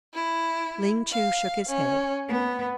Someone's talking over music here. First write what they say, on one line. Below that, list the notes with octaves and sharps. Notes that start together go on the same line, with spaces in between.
Ling Chu shook his head.
E4
F5
C#4
B3